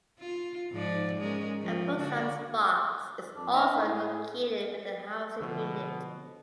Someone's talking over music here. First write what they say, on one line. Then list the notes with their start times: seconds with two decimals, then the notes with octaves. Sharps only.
A post office box is also located within the housing unit.
0.19 F4
0.72 G#2 F3 D5
1.19 G#3 C#4 A#4
1.61 F3
1.98 D3 D4 F#4
3.36 F2 D4
3.53 D#4 E5
3.76 A2 G#4
5.40 B2 D3 F3